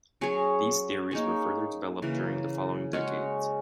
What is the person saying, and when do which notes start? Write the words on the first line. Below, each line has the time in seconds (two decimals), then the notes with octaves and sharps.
These theories were further developed during the following decades.
0.21 F#3 C#4 G#4 C#5
1.11 A#3 D#4 G#4 C#5
2.02 C#3 E3 A#3
2.93 G#3 C#4 F#4 C#5